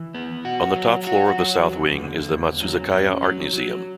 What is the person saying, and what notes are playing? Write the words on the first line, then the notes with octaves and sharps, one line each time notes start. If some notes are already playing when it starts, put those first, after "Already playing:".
On the top floor of the south wing is the Matsuzakaya Art Museum.
Already playing: E3
B3
F#4
F#3
F#4
F#3
E2
D3
E2
F#3
C#4
F#3
F#3